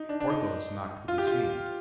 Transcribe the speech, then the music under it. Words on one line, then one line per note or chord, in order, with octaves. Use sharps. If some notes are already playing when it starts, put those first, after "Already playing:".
Porthos knocked with his hand.
Already playing: D#4
D4
D4
D#4
F4
G4
F4